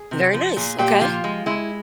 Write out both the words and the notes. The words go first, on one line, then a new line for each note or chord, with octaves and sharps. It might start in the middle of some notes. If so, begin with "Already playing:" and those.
Very nice, okay.
Already playing: G#4
C3
F3
A#2 G#4
A#2 G4
F3 F4
G#3
G#3 E4